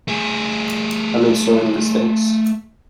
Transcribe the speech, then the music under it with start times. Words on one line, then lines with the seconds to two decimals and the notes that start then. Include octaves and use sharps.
I make so many mistakes.
0.08 A3 G#4